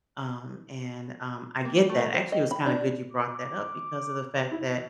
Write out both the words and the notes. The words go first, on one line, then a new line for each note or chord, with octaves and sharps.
um, and um, I get that actually, it was kinda good you brought that up because of the fact that
A#3
A3
C5
D#5
B5
D4
D6
E4